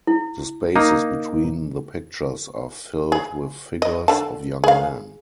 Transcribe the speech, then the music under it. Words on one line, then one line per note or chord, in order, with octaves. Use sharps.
The spaces between the pictures are filled with figures of young men.
E4
A#3 D#4
G#4
D#5
D3 A5
G#4 F5